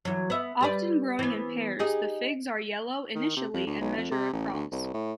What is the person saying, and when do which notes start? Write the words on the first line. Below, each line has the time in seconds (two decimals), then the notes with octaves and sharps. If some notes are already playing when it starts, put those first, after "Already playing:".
Often growing in pairs, the figs are yellow initially and measure across.
0.05 E3 F#3
0.30 B3 E5
0.61 G3 B4 D5
1.19 E3 B3
1.79 D#4 G4 G#4
3.15 D#3
3.37 C3
3.54 F2
3.67 D2
3.81 B1
3.97 F2
4.11 C3
4.33 A1
4.53 D2
4.72 C2
4.94 A2